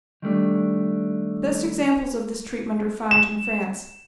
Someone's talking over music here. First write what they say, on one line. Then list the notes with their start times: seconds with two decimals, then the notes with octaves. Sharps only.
The best examples of this treatment are found in France.
0.22 D#3 G3 A3 D4
3.11 E7